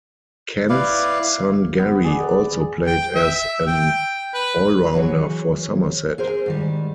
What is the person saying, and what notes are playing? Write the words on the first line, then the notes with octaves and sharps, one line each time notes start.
Ken's son Gary also played as an all-rounder for Somerset.
E4 B4 D5 F5
B3
G#4 D5
G5
E5
G5
B4
E3 F#3 G#4 C#5
G#4 A#4 C5
G#2 D#3 G3